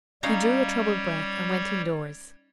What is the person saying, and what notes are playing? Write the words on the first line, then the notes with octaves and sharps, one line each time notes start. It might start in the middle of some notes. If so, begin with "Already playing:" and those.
He drew a troubled breath, and went in-doors.
G3 C#4 D#4 C#5 F5